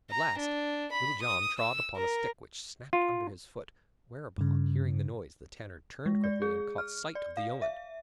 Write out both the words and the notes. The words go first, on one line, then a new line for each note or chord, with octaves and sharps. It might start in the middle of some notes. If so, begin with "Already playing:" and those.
At last Little John trod upon a stick, which snapped under his foot, whereupon, hearing the noise, the Tanner turned quickly and caught sight of the yeoman.
A#5
D4
B5
D#6
E6
A#4
F4
G2 C#3
G#3
D5
G#4
F6
D5
F5
E5